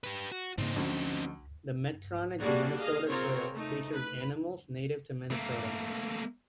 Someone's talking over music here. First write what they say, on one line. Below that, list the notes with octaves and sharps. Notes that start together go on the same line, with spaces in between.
The Medtronic Minnesota Trail features animals native to Minnesota.
G4 B4
F#4
G#2 C#3 A#3 C4 D#4
D2 F3 C#4
G3 A#3 D4 F#4 G#4 D5
G#4 D#5 F5
C4 F4 G#4 A#4 C#5
A3 D#4
B4
A3 A#3